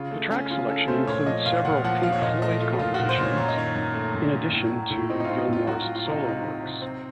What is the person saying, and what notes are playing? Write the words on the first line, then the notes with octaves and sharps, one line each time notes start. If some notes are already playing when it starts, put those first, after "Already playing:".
The track selection includes several Pink Floyd compositions in addition to Gilmour's solo works.
Already playing: C#3 F4
A3
C#4
C#3 F4
C#4 A4
A3 C5
A#2 C#5
F3 D#5
A#2 F5
A#2 F#5
F3 F#5
F3 F5
C#5
A#2 D#5
A3 D#5
A3 F4
A#2 F4
F#4
A#2
C5
A#2
C#5
F#2 C#5
D#5
D#3 C#5
F#2
A3
F#2
F#2
A2
F#3
A2
C4 D#4
D#4
C4 F4
D#4
A2 F4
F#3 F#4
F4
F#3
F4
C3 D#4
F4
C3 D#4
C3
C3
C4